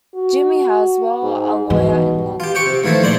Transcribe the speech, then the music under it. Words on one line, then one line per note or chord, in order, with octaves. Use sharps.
'Jimmie Haswell', a lawyer in London.
F#4
G#2
G#2 B2 E3
F4 G4
G4 G5 C#6
C3
G#2 E3 F3 A3
A#2 G#3 C5 D5